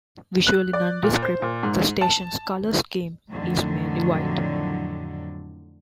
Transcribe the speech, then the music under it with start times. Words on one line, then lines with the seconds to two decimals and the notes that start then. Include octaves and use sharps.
Visually nondescript, the station's colour scheme is mainly white.
0.47 F#6
0.73 D5
1.03 A#2
1.22 C5
1.42 A#2
1.63 G#2
2.01 A5
3.31 F2 A2 D3 D#3 F#3